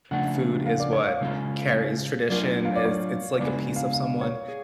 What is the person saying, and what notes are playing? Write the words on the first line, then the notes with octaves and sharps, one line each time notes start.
food is what carries tradition, as it's like a piece of someone,
C#3 F3 A3 D4 F#5
F5
D5
C#5
F5
C#3 G#3 C#4 F4 A4
F#3 A3 D4 F4 D5
F5
D5
C#5
C#3 G#3 B3 D4 F#4 D5
F5
F5
C#5
G#4